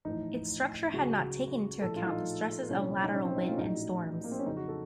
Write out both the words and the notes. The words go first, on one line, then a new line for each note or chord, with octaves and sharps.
Its structure had not taken into account the stresses of lateral wind and storms.
A1 A2 F3 D#4
C#2 C#3 F#3 F#4
A#1 A2 F3 A4
F4
F4
D#4
C2 A#2 F3 C#4
C#4
D#4
C#4
C4
D#4
F4
C#4
A#1 A2 F#3 D#4
A#3
C4
C#4
F2 C#3 F#3 D#4
F#4
A4